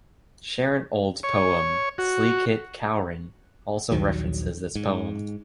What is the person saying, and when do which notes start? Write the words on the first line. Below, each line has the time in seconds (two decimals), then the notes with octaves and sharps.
Sharon Olds's poem "Sleekit Cowrin'" also references this poem.
1.23 C#5
1.98 F#4
3.92 A#1 D#2 D#3 F#3
4.75 G#2